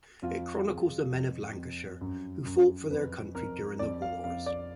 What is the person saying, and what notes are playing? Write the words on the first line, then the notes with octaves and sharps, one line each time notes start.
It chronicles the men of Lancashire who fought for their country during the wars.
F2 F4
F2 G#4
F2
F2
F#2
F#2
F2 B4
F2 A#4
F2 D5
F5
F2 F5
D5